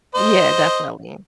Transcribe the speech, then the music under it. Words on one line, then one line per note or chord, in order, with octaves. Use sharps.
Yeah, definitely.
C5 D#5